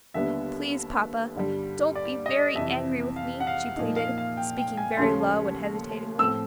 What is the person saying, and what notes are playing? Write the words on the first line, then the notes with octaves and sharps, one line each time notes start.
"Please, papa, don't be very angry with me," she pleaded, speaking very low and hesitatingly.
D#2 D3 G3 B3 D4 E5
G2 D3 G3
D5
D#5
F2 C3 E3 E5
F5
F#5
F5
A#2 F3 A#3 D#4
F5
F5
G5
G5
G#5
D#2 C#3 F3 A3 C#4 C6
A2 F3 A3 C4 E6